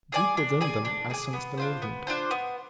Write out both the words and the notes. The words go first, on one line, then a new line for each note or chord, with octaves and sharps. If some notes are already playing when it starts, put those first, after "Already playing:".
Deep within them I sensed a movement.
G#4 D5 G#5
D4
G#4 D5 G#5
D4
G#4 D5 G#5
B3
D4 F4 C5
B3
D4 F4 C5
B3